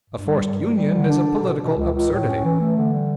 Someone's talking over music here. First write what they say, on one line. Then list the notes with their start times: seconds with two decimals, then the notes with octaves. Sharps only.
A forced union is a political absurdity.
0.09 G2
0.25 G3
0.42 G2
0.59 G3
0.75 G3
0.92 D3
1.09 D4
1.26 D3
1.43 B2
1.60 B2
1.77 C#2
1.93 C#2
2.10 A2
2.27 C#4
2.43 E3
2.60 A3
2.76 D3
2.93 G3